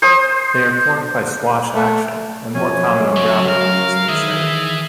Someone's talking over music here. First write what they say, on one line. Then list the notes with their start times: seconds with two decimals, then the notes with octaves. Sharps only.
They are formed by swash action and more common on gravel beaches than sand.
0.02 C5 D#6
1.75 A3
2.55 F#2 F3 C#4 G#5
3.16 C#3 F#3 C#6
3.48 A#4 F5
4.09 D#3 E3 G#4 E5